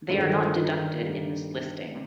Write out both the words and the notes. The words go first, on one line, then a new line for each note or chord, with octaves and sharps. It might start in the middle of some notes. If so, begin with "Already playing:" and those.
They are not deducted in this listing.
G2 D3 F3 G#3
D#3
F3
D#3
D#3
G2 D3 G3 A#3